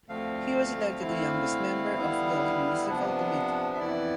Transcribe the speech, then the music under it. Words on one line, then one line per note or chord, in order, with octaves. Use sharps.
He was elected the youngest member of Delhi Municipal Committee.
D2 D3 F3 A3 C4 F5
D3 A3 C4 E4
D3 G3 B3 E4
C3 F3 B3 D4
E5
F2 E3 B3 E4 D5